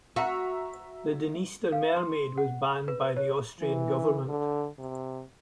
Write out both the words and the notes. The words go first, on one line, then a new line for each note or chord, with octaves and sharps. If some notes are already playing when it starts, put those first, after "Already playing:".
The "Dniester Mermaid" was banned by the Austrian government.
F#4 E5 A#5 E6
F5
C6
F#5
B4
C#5
E3
D3
C3